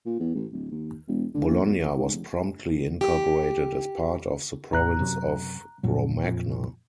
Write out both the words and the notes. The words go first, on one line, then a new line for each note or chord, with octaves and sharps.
Bologna was promptly incorporated as part of the province of Romagna.
A#2
E2
A1
D1
D#2
E1
D3
A#1
B1
G#2
F1
G4
A1 E2 A#5 F#6
F#2 C3 F#3
F2 A#2 F#3
F2